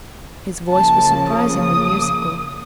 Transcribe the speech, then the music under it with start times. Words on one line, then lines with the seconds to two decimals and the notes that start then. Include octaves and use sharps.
His voice was surprisingly musical.
0.69 C#3 F3 A#3 A5
1.32 D#6